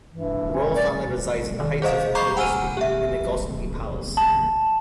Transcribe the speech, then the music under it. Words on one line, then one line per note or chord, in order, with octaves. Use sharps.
The royal family resides in the heights of Hollsopple, in the Gehosky Palace.
G2 E3
C#4
D5
D#3
G#4 C5 D#5 F5
A#5 B5 C#6 D6 G6 C7
F#5 G#5 E6 F6 D#7
G4 E5
A5